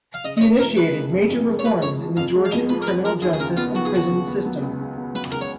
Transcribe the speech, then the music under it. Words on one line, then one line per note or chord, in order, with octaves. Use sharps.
He initiated major reforms in the Georgian criminal justice and prisons system.
F5
C#3 D#5
D#5
F1 C#5
F2 A#4
G#3 B4
C#3
F1
F2
G#3
C#5
G#3 B4
F2 C#5
F3
F2 F5
G#3
F5
F2 D#5
F3 B4
A#4
F2 B4
F3 A#4
D#2 G#4
G#4
C#3 A#4
B3 F4
F3 F#4
G#4
D#2 F#4
C#3
B3
F#3
C#2
C#3
B3
F#3 B4
C#2 A#4
C#5